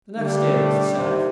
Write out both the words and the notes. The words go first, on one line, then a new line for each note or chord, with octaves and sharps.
The next day was the Sabbath.
D3 G3 A3 D4
D#2 C3